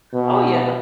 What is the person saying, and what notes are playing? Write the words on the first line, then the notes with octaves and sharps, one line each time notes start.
oh yeah!
B2